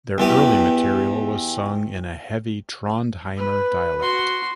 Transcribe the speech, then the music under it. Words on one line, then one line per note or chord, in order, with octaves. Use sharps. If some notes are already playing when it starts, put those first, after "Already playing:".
Their early material was sung in a heavy Trondheimer dialect.
E2 E3 G4
B4
F#4 C6